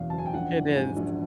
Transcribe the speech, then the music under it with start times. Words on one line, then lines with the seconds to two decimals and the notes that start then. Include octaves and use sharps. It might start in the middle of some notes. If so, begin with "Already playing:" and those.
It is.
Already playing: F#1 E2 B2 F5
0.10 A5
0.13 F#1
0.18 G#5
0.26 G5
0.34 A#1 F#5
0.55 E3
0.76 G#2 G#5
0.97 A#1